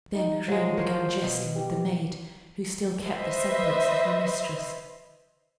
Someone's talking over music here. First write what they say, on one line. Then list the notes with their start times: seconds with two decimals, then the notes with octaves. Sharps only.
Then Rhun began jesting with the maid, who still kept the semblance of her mistress.
0.15 D#4
0.48 F3 F#3 G#3
0.77 A#4 C5 C#5
1.22 B2
1.56 G4
3.03 B4 C5 D#5 E5